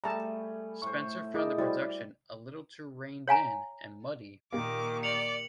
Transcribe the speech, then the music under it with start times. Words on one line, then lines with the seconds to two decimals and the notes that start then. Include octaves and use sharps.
Spencer found the production "a little too reigned in" and "muddy".
0.04 G3 A3 G#4 A5 A#5
0.82 A2 C5 C#6
1.34 E4 G#4 A#4 D#5 D6
1.58 G3 E4 F#4 C5 D5
3.28 C#5 F5 G#5 A#5
4.52 A#2 D#3 A#3 G4 D6
5.03 D5 C#7 F7 F#7